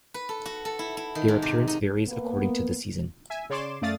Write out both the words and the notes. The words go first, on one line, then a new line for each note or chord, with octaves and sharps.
Their appearance varies according to the season.
B4
A4
F#4
A4
E4
E4
D#3
G#2
C3
D#4
A#3 B3
E5 G#5
C#3 C#5 D5 C6 D6 E7
F#2 A3 D5 F5 D#6 A6